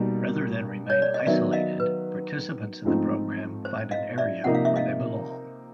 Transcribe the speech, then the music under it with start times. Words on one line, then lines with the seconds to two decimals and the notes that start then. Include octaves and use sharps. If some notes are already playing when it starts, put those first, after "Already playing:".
Rather than remain isolated, participants in the program find an area where they belong.
Already playing: B2 G3 A#3 D#4
0.90 C#5
1.02 D5
1.14 D#5
1.26 D#3 F#3 B3 D5 E5
1.53 D#5 F5
1.80 B4
2.85 G#2 F3 A3 C4 D#4
3.65 C5
3.91 D#5 F5
4.18 D5 E5
4.44 C3 F3 A#3 D#4 F#5
4.55 F5
4.65 E5
4.76 D#5 F5